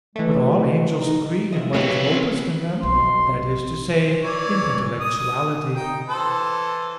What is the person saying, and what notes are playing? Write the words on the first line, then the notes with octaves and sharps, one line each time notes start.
But all angels agree in what is noblest in them--that is to say, in intellectuality.
E3 G#3 A3
B2
D#4
F3 E4 D#5
F#3 B3 E4 G4 C#5 F5
C4 C#4
B1 C6
E3 C#5 D5
D#6
D#4 G5
E3 A4 C5